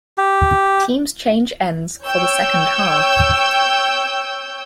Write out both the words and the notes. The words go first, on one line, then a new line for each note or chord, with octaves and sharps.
Teams change ends for the second half.
G4
C#5 G5 E6 G6